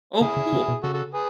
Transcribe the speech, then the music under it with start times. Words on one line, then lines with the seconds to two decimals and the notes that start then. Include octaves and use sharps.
Oh, cool.
0.21 C#3 E4 G#4
0.37 C#3
0.53 C#3
0.68 B2
0.83 C#3 F#4 A4
0.93 F#4 A4
1.14 G#4 B4